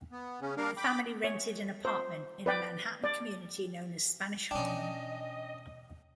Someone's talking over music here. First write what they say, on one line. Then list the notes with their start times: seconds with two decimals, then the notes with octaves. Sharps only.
The family rented an apartment in a Manhattan community known as Spanish Harlem.
0.12 B3
0.41 C#3 C#4
0.57 G3 A#3 D4 A#4 F5
0.77 G5 B5 D6
1.24 C#5
1.85 C5
2.46 B4 D5 G5
3.04 D5
4.51 B2 E3 C#4 D4 D#5 G5